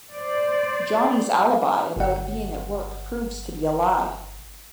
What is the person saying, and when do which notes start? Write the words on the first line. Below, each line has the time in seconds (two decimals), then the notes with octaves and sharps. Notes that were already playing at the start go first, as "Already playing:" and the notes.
Johnny's alibi about being at work proves to be a lie.
0.14 C5 D5
1.96 G1 F#5